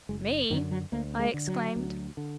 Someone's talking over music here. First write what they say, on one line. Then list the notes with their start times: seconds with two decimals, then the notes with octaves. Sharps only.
"Me!" I exclaimed.
0.09 F#1 G#3
0.50 F#2 D3 D#3
0.71 F#3
0.92 D2 A#3
1.19 G#3
1.34 D3
1.48 F#3
1.76 D2
2.17 D3